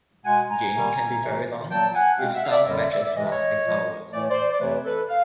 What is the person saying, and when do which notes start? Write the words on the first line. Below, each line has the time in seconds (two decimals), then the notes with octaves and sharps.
Games can be very long, with some matches lasting hours.
0.25 B2 G#3 F#5 G#5
0.49 G#5 A#5
0.73 C3 D#3 G3 A#3
1.22 C3 E3 A3
1.70 A#2 F#3 A#3 G5 A5
1.94 F#5 G#5
2.18 B2 G#3 F5 G5
2.34 E5 F#5
2.45 F5
2.51 D5 E5
2.67 F#2 D3 G3 A#3 C#5 D#5
2.79 D5 E5
2.91 D5 E5
3.03 D5 E5
3.15 C3 E3 G#3 D#5
3.24 E5
3.31 C#5 D#5
3.64 A#2 F3 G#3
4.12 A2 E3 A3 D5
4.21 C#5
4.29 C5 D5
4.52 D5
4.60 F2 C3 E3 A3 B4 C#5
4.84 A4 B4
5.09 F5